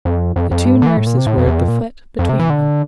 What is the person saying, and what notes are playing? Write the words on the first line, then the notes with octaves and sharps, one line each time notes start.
The two nurses were at the foot between them.
F2
F2
F2
G2
A2
D3
E3
A2
A#2
C3
A2
F2
E2
F2
A#2
F2
C3
E3
D3